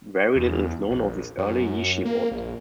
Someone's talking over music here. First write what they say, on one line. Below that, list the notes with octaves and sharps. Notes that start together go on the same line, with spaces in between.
Very little is known of these early "yeshivot".
E2
A#1
F#2
A#3
A#1